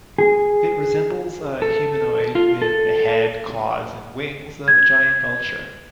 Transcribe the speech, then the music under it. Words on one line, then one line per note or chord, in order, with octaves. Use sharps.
It resembles a humanoid with the head, claws, and wings of a giant vulture.
G#4
A4
F4
A4
G#6